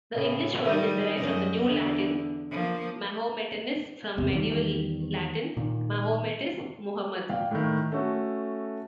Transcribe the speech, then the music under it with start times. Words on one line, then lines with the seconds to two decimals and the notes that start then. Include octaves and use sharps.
The English word is derived from New Latin "Mahometanus", from Medieval Latin "Mahometus", Muhammad.
0.14 A2 C#3
0.64 D#3 G3 D#4
1.16 F#2 D#5
1.62 E2 D3
2.51 F3 A#3
4.17 G#1 E2 C3
4.34 E2 D#3 G3
5.57 A#2 D#3
7.29 A#2 F5 G5
7.51 A2 D#3
7.92 A3 C#4 F#4 A4